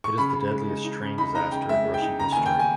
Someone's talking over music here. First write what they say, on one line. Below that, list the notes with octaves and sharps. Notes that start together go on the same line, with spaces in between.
It is the deadliest train disaster in Russian history.
C#6
C#3 B5
C#3
G#3
D#4
D#4
C#3
D#4 B5
D#4 A#5
C#3 G5
G#3 E5
G#3
G5
D#4
C#3 A#5
D#2 G#5
G5
G#5